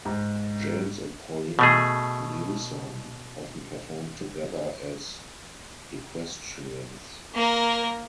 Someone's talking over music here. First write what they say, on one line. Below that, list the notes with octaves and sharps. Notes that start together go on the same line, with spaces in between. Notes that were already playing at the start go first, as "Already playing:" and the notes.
James and Pauline Newsome often performed together as equestrians.
G#2
B2 A3 G#4
A#3 A#4